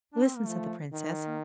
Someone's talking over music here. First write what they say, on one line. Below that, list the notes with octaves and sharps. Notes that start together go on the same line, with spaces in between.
'Listen!' said the Princess.
D4
C4
A#3
F3 A3
D#3
A#3